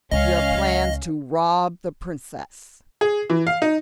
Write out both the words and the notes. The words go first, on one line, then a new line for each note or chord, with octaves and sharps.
"Your plans to rob the Princess."
C#2 C#4 D#5 F5
G#4
E3
F5
D#4